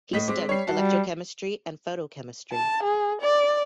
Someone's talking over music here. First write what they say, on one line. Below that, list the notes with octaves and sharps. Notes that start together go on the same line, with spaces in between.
He studied electrochemistry and photochemistry.
A2 D#5 B6
G#3 C4 D6
G3 C#5 C7
G3 F#4 A5
A5
G#4
D5